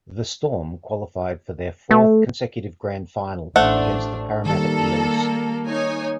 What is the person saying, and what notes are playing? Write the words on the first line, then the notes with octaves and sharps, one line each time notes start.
The Storm qualified for their fourth consecutive grand final, against the Parramatta Eels.
A3
A1 A3 D4 C5 F#5
D#3 G3 A#3 A4
D#4 C#5 G#5